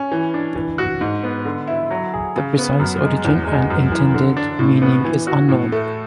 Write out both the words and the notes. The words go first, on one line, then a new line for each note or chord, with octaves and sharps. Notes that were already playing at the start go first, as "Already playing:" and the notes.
The precise origin and intended meaning is unknown.
Already playing: C#4
E3
D4
E3
F#4
G#2
B3
D3
E4
F#3
G#4
C#3
B3
F#2
G#3
E2
G#3
F#2
E3
D3
D4
A2
B3
E3
F#4
A2
A3